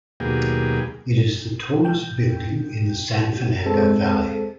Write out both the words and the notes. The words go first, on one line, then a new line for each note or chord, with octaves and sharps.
It is the tallest building in the San Fernando Valley.
D#2 B2 F#3 A#3 G4 G#4
G5
G#3 C4 A4